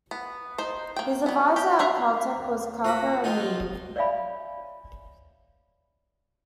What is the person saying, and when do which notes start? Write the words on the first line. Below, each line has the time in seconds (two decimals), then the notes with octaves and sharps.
His adviser at Caltech was Carver A. Mead.
0.11 B3
0.58 D#4 C5
0.96 A#3 G5
1.26 F#3 B3
1.56 G4
1.79 F#4 A#4 E5 F5
2.35 D#2
2.85 F4 F#4 A#4 C5 A#5 B5
3.24 F3 C4 D#4 F4
3.96 C#5 D5 E5 F5 G#5 B5